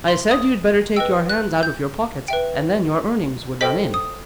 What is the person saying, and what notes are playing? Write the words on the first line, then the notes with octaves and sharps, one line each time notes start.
I said you'd better take your hands out of your pockets, and then your earnings would run in.
C6
D#6
B4 D#5 G5 E6
F#6
G6
B4 E5 G5
A4 C5 D#5 G5 B6
D#6